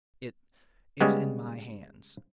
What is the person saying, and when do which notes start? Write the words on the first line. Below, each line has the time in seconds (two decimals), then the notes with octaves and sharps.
It--it's in my hands.
1.01 C#3 G3 G#3 B3